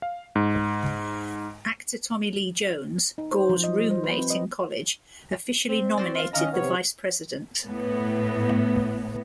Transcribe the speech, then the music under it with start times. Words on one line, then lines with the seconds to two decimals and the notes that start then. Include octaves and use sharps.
Actor Tommy Lee Jones, Gore's roommate in college, officially nominated the Vice President.
0.02 F5
0.35 G#2
3.18 D#4
3.31 C5
3.49 F3
3.64 D#5
3.78 G3
3.91 C5
4.04 B4
4.18 C4
4.30 D#5
5.69 C4
5.98 F#4 C5 D5
6.15 F4 F5
6.33 D#3 C#4 D#5 F5 A#5
6.53 C3 B3 C#5
7.66 A2 B3